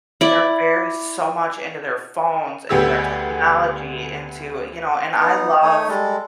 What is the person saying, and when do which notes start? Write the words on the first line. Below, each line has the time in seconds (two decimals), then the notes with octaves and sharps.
they're very so much into their phones, into their technology, into, you know, and I love
0.21 E4 D5
2.69 D2 D3 B3 G4 G#4 E6
5.19 B3 D#4
5.63 A3 D#4 C#5 D#6
5.88 G3 G#3 A4